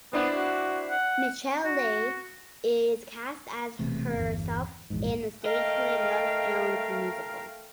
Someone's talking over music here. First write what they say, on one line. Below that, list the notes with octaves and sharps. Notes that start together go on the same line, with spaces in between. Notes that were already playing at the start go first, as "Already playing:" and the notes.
Michel'le is cast as herself in the stage play "Love Jones the Musical".
B3 C4 D4 E4
F#4
F#5
F#4
E1 E2 C3 A3
G1 E2
A#1 E2 G#2
A3 A#4 D#5 F5 G5